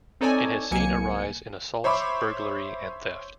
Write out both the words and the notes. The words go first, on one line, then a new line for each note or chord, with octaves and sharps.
It has seen a rise in assaults, burglary, and theft.
C4 D#4 A4 C#5 D5 G#5
C2 B2 F#3 A#3 G#5 C#7
C5 C#5 E5 B5 D6